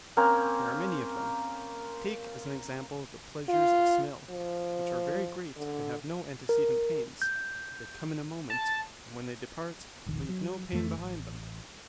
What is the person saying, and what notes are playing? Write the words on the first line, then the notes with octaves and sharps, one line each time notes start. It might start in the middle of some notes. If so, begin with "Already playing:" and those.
There are many of them: take as an example the pleasures of smell, which are very great and have no antecedent pains; they come in a moment, and when they depart leave no pain behind them.
A#3 C4 C#4 A#4
F4
F3
D3
A#4
G6
A5
E1 A#1 D#3
F#3
F2 E3 A3
A1